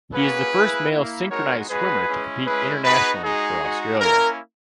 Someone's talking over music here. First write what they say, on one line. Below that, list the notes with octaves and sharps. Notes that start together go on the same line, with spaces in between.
He is the first male synchronised swimmer to compete internationally for Australia.
A#3 C#4 F#4 G#4 B4
A#3 E4
A#3 E4
G#3 B3 D#4 F#4 A#4 C#5
G#3 C#4 F#4 G#4 B4
G#3 C#4 E4
G#3 C#4 E4 G#4 B4
B3 D#4 F#4 G#4 B4
G#3 D#4 F#4 G#4
G#3 D#4 F#4
A#3 C#4 E4 A#4